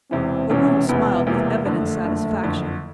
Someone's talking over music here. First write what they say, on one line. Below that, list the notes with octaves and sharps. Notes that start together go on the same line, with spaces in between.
O'Roon smiled with evident satisfaction.
E1 E2 C3 E3 C4
E1 E2 C3 E3 C#4
E1 E2 C3 E3 B3
E1 E2 C3 E3 A#3
F#1 F2 D3 A3
F#1 F2 D3
F#1 F2 D3